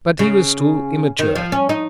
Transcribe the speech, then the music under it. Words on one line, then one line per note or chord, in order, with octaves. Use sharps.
But he was still immature.
C#3
D#3
F3
C#4
D#4